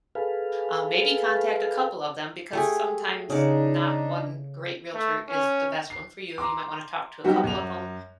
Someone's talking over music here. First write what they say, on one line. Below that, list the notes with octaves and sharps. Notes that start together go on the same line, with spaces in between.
um, maybe contact a couple of them because sometimes not one great realtor is the best one for you, you might wanna talk to a couple of 'em.
G#4 A4 B4 F5
A3 G4 G#4
C#3 D4 D#4 D5
A3
C#4
C7
A#5 C6 D6
F#3 G3 D#4 F#4 G4
F#2 F7